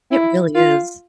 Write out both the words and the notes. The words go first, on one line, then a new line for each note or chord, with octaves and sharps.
It really is.
E4
F4